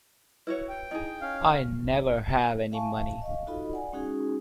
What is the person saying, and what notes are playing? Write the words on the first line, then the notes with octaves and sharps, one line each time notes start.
I never have any money.
E4 F#4 B4 C#5
G5
D#4 E4 G#4 D#5
C#4 F5
E5 F5 G#5 A5 C#6
D#5 F5
D#4 F4 F#4 A4 D#5 B5
D5 F#5 G#5
G#3 C#4 D#4 F#4 G#4